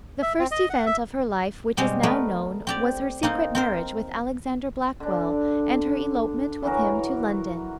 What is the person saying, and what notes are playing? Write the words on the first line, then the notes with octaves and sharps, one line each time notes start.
The first event of her life which is now known, was her secret marriage with Alexander Blackwell, and her elopement with him to London.
E5
C4
D#5
F#5
E5
B2 G3 G#3 C4
A3 B3 A#4 B4
C4 G4 D5
A#3 C4 D#4
C4 A#4 C5
D3 D4
E3 F#3 F#4 A#4